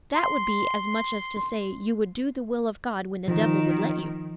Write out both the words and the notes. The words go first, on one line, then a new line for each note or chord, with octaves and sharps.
That would be as much as to say you would do the will of God when the devil would let you.
C6
D#3 F3